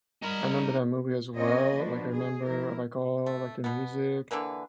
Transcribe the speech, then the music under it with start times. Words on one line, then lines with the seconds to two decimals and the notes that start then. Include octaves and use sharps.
I remember that movie as well, like, I remember, like, all, like, the music
0.23 G3 D#4 A#4 B5
1.36 C4 C#4 F#4 A#4 C#5 D#5
1.74 F3 A#3 D4 F#4 B4
2.12 G#4
2.44 F3 E4 A#4
3.26 A3
3.64 B2 B3
4.31 D3 E3 A#3 B4